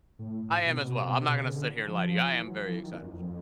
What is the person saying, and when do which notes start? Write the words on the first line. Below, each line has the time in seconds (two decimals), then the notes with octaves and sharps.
I am as well. I'm not gonna sit here and lie to you. I am very excited as well.
0.19 A2
0.49 A2
0.65 B2
0.75 C3
0.84 B2
0.95 C3
1.07 B2
1.17 C3
1.26 B2
1.41 C#3
1.55 D3
1.86 F3
2.32 E3
2.47 F#3
2.61 F3
2.72 E3
2.83 D#3
2.92 A#2
3.02 F#2
3.13 F2